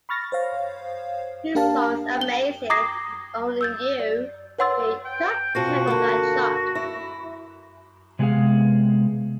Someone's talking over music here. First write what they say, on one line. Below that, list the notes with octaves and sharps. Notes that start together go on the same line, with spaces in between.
His songs "Amazing" and "Only You" made top ten on that chart.
B5 C#6 F6 A6 A#6
C5 C#5 F5
A#3 D4 G4 A#4 F5 A5
G5 G7
A#5 D6 D#6 G#6 A#6 C7
E6 G6 A6
D5
B4 C#5 F#5 C6 E6 A6
G5
B2 C4 F4 F#4
D3 A#3
E4
C3 G#3 B3 F4 G#4 F5